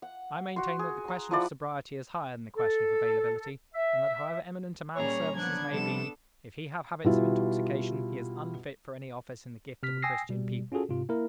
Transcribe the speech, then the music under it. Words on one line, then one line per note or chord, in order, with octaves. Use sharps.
I maintain that the question of sobriety is higher than the question of availability; and that however eminent a man's services may be, if he have habits of intoxication, he is unfit for any office in the gift of a Christian people.
F#5
F#4 C6
G#4
A#5
F3 E4 D5 F#5
A4
E5
A#2 G3 C#4 G#4 C#5 A#5
F3 F#3 B3 D4 F#6 G#6
C3 F3 G3 A4 E7
B2 G3 E4 F4
C3 F6 B6
G5 G#5 D#6 E6 A#6 C7
B2 G3
C#4 F4 F#4 G#4 A4
G#2 C3 F4
A#3 E4 A#4